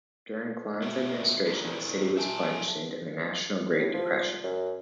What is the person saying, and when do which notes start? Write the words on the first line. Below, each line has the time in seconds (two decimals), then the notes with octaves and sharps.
During Kline's administration the city was plunged into the national Great Depression.
0.82 A3 B3 F#4 C#5 E5
1.47 D4 E4 F4 G#4 A#4 C5
2.17 E5 G#5 A5
3.78 A2
3.94 F3
4.44 F#2